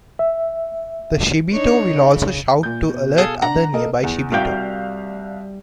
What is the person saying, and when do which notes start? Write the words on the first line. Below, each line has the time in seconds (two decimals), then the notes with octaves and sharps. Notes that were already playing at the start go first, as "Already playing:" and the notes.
The Shibito will also shout to alert other nearby Shibito.
0.19 E5
1.51 D4 D#4 C#5
1.93 C#3
2.63 A#2 G6
2.89 B2
3.18 G#4 A4 F5
3.42 D4 F#5 A#5
3.74 A#3 A4 D#5
4.04 E2
4.32 C2 G3 F#4 F5 G5 G6